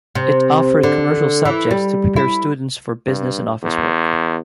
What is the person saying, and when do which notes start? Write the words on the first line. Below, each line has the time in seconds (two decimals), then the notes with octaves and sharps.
It offered commercial subjects to prepare students for business and office work.
0.15 C3
0.83 D3
1.45 E3
1.71 G3
2.16 E4
3.07 G2
3.62 E2